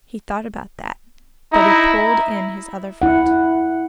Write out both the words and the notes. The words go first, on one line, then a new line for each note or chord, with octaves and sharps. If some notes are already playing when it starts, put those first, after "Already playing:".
He thought about that, but he pulled in his other foot.
D#4 E4
E4 F#5